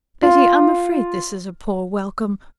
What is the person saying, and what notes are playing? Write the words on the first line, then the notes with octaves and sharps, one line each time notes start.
Betty, I'm afraid this is a poor welcome.
F4